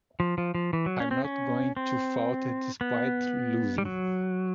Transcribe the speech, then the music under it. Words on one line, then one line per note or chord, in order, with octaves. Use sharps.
I'm not going to falter despite losing.
F3
F3
F3
E3
F#3
C#4
C4
C#4
C4
B3
G3
F#3